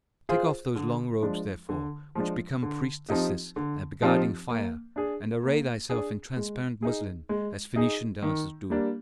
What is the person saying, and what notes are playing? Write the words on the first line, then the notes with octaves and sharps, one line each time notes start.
Take off those long robes, therefore, which become priestesses guarding fire, and array thyself in transparent muslin, as Phoenician dancers do.
F4 G#4 C5
D3
F3 G#3 D4
D3
F3 G#3 D4
D3
F3 C4 D#4 G4
D3
F3 C4 D#4 G4
A#3
D4 G#4
A#3
D4 G#4
G#3
D#4 G#4
G#3
D#4 G#4
D#3
G3 A#3 D4